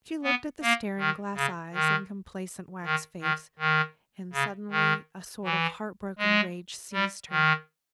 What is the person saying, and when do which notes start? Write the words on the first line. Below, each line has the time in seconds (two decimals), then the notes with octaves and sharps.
She looked at the staring glass eyes and complacent wax face, and suddenly a sort of heartbroken rage seized her.
0.24 B3
0.62 A#3
0.99 D#3
1.35 C#3
1.73 D#3
2.84 D#3
3.21 D#3
3.59 D#3
4.33 C#3
4.71 D#3
5.45 E3
6.19 G#3
6.94 G3
7.30 D#3